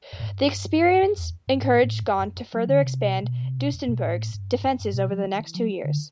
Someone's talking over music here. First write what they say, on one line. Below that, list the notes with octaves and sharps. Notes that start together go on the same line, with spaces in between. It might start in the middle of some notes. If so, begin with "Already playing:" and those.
The experience encouraged Gaunt to further expand Dunstanburgh's defences over the next two years.
F#2
A2
G2
F#2
E2
G2
A2
A2
F#2
F#2
F#3
D3
C3
B2
B2
C3
B2
F#2
B2
A2
G2
F#2
G2
B2
F#3
E3
E3
F#3
D3